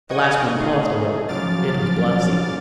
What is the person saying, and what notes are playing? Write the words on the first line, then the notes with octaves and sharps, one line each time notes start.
The last one paused a little; it was Blasi.
D#5 F#5 G5 C#6 D#6 G#6
A3 D#4 G#4
C#3 F3 F#3 D6 F6 A6